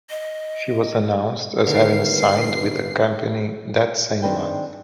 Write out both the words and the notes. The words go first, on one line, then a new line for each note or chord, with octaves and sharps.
She was announced as having signed with the company that same month.
D#5
G1 D3 D#3 B4 C7
D#3 C4 D4 G#4 B4 G5